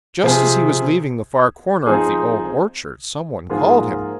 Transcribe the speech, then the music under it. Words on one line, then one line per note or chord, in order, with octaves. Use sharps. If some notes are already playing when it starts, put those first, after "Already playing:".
Just as he was leaving the far corner of the Old Orchard some one called him.
C3 F3 C4 G#4
F3 C4 D#4 G#4
G#2 F3 A#3 F4 G#4